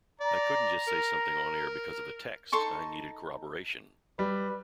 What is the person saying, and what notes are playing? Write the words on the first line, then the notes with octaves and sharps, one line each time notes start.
I couldn't just say something on-air because of a text, I needed corroboration.
D5 A#5
A#4
D#4 A4 C6 C#6
G3 B4